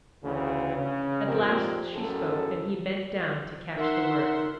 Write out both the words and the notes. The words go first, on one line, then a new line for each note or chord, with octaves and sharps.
At last she spoke, and he bent down to catch the words.
D2 C#3 E3
C#3
G#1 F2 A#2 C4 G4 A#4
A1 F#2 C#3 G#4 A4
D#4 A#4 E5 F#5 C6